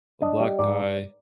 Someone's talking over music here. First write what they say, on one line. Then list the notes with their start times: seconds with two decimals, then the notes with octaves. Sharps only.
a black guy
0.22 D4 D#5
0.40 G3
0.59 G#2 D5